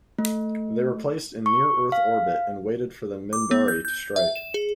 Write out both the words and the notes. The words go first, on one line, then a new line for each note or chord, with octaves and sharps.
They were placed in near-Earth orbit and waited for the Minbari to strike.
A3
C#6
F5
D6
B3
G6
G6
E5
E7
G#4